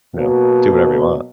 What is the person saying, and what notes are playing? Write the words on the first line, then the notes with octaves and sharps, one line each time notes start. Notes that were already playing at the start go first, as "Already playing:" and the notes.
you know, do whatever you want.
B2 F#3 A#3